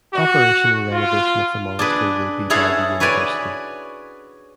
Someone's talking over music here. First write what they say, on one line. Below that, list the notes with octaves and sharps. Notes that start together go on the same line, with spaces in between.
Operation and renovation of the monastery will be by the University.
F#4
F4
D4 G#4 B4
C#4 E4 G#4 A4 F5 F#5
F#4 B4 C#5 D5 G#5